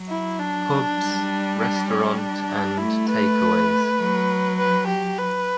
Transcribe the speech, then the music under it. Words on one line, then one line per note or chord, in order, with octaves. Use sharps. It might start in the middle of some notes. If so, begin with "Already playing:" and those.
Pubs, restaurant and take-aways.
Already playing: F#3
E4
D4
G3
D4
C#4
D4
A3 E4
B4
F#3
B4
G4
B4